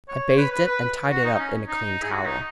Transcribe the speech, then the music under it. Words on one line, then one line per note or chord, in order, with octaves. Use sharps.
I bathed it, and tied it up in a clean towel.
C#5
B4
B4
B4
B4
F#4
D#4
D#4
C#4
D#4
G#4
F#4
D#4